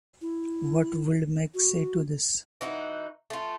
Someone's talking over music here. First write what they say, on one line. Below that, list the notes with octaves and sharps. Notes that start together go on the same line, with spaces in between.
What would Meg say to this?
E4
F#4
E3 D#4 F#4
A3 F4